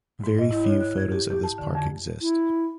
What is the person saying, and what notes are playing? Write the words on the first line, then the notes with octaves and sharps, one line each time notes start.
Very few photos of this park exist.
G#2
D#5
E4
C#5
F#6
G#6
G4
G4
A5
D3
F2
E4